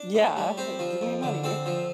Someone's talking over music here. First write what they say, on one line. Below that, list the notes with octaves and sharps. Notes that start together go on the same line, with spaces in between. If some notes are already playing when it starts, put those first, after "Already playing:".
Yeah. Give me money.
Already playing: D4
A2
G3
C4 G4
F3
F2
D3
C4 A4
F3